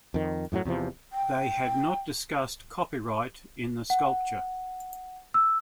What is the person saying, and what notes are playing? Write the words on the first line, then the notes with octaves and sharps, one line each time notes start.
They had not discussed copyright in the sculpture.
F2 D#3
F#2 A2 C3 F#3
E2 C3 F3
G5
F#5
E6